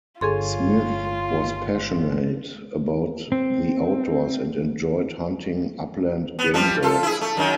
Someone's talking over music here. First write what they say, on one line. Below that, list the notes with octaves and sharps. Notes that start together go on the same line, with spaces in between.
Smith was passionate about the outdoors and enjoyed hunting upland game birds.
G1 F4 G#4 A4 C#5 G#5 C6
C4
B3
F3 G3
F4 A4
E4 G#4
A3
F#2 D#3